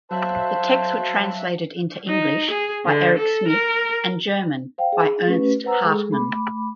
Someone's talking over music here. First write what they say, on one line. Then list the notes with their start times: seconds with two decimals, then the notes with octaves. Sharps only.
The texts were translated into English by Erik Smith and German by Ernst Hartmann.
0.11 F#3 C5 E5 F5 A5 F#6
2.08 D#4
2.50 G#4
2.85 D3
3.17 A4
3.48 A#4
4.78 C5 F5 G5
4.93 G#4
5.27 A3 C#4 G4 B4
5.64 B4 C5 F#5 A#5 E6
5.84 G#3 G#4 A4
6.11 A3 B5 D6